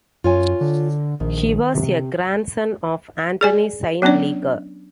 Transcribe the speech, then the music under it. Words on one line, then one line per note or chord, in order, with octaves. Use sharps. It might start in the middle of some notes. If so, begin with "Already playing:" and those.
He was a grandson of Anthony Saint Leger.
F#2 F4 C#5 G#5
D3
A#1 D#3
C3
G#4 D5 G#5
F#3 B3 C#4 D4 D5